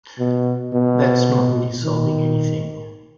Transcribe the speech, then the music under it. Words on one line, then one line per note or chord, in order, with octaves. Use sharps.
That's not really solving anything.
B2
B2
D#3